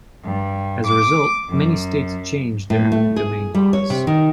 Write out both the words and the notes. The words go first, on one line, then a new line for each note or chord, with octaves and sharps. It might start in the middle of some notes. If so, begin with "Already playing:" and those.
As a result, many states changed their eminent domain laws.
G2
D6
F#2
A2
A3
G#4
G3
C#5
C3
D#3